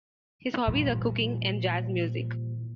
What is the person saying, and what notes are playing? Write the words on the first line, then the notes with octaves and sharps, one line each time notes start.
His hobbies are cooking and jazz music.
A#2 E3 F3 G3